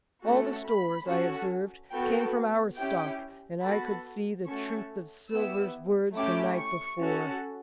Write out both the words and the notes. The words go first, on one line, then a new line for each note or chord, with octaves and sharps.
All the stores, I observed, came from our stock, and I could see the truth of Silver's words the night before.
A3 C#4 F#4 A4
B5
C#4 F#4 A4
B3 F#4 A4 G5
C#4 E4 G4 G5
B3 F#4 A4 B5
A3 C#4 F#4 A4 C#6
B3 E4 G4 E6
A3 C#4 E4 G4 D6
C#6
C#4 F#4 A4